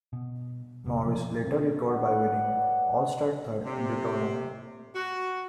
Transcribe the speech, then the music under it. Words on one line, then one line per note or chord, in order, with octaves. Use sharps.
Morris later recovered by winning all-star third in the tournament.
B2
E1 C3 A#3
B2 F3
B2 C4
G#4 B4 C#5 D5 F#5
C3
F#4